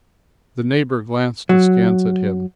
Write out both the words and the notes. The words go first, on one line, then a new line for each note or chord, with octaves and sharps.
The neighbour glanced askance at him.
F#3